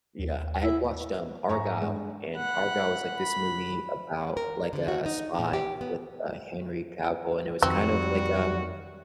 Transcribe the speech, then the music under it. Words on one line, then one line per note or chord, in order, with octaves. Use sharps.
Yeah, I had watched, um, Argylle, and Argylle was, like, this movie about, like, a spy with, uh, Henry Cavill, and it was kind of like, um,
D#2
E4
G#2 E5 A#5 C#6
G2 G#3 D4
F#5 B5
B5
A#4
D3
F#4
D#4
A#2
G4
B3
F2 D#3 G3 C4 F#4